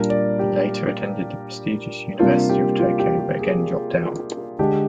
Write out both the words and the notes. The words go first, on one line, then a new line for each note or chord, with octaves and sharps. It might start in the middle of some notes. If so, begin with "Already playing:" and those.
He later attended the prestigious University of Tokyo, but again dropped out.
Already playing: A#2 G3 D4 A#4
D5
G4
C3 G3 A#3 D4 F4
G4
F4
G4
G4
G#4
D3 G#3 D4 G4